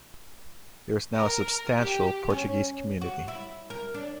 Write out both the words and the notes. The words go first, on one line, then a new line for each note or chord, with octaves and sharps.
There is now a substantial Portuguese community.
A#4
G4
C#4
F#4
E4
A#4
D4